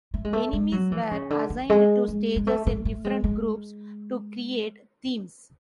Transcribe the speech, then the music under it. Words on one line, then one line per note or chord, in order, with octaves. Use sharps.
Enemies were assigned to stages in different groups to create themes.
A3
G#3
A3
G#3
F#3
E3
C#3
D3
E3
G#3
G#3
G#3
A3
A3
A3
G#3
G#3